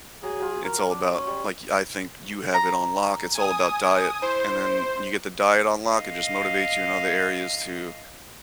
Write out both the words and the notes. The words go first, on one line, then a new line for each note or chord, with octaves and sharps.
It's all about like, I think you have it on lock. It's all about diet, and then when you get the diet on lock, it just motivates you in other areas to
F#3 G#4
F#3 F4
A#4
D4
C#4
G3 C#6
A#5
G#5 D#6
E4 C5
D#5 F5